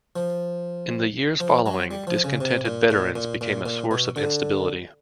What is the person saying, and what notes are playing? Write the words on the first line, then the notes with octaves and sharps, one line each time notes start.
In the years following, discontented veterans became a source of instability.
F3
F3
F#3
G3
F3
C#3
C3
A#2
A#2
A#2
A#2
A#2
B2
D3